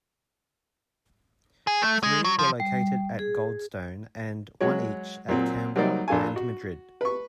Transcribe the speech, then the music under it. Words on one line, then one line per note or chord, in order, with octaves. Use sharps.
Three were located at Goldstone, and one each at Canberra and Madrid.
G#4
A3
G#3
F#3
F3
G3
G#4
F#3 G#3 F#4 C#5
A#2 F#3 C4
F#3 G3 A#3 D#4 C5 D5
A#1 D4 A4 F5 G#5
F#4
B4 C#6